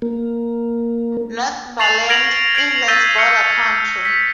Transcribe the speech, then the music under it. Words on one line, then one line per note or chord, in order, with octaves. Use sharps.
Northumberland: England's Border Country.
A#3
C#6 A6 C7 F7 F#7
F6 G#6 A#6 D7 F7 F#7
G#6 C7 D7 F#7
E6 G6 A6 B6 D#7 G7
F6 C#7
B6